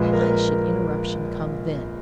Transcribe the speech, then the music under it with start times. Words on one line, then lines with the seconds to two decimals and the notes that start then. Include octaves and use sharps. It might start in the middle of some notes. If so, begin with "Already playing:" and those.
Why should interruption come then?
Already playing: A#1 A#2 G#3 B4
0.13 A#4
0.21 B4
0.30 A#4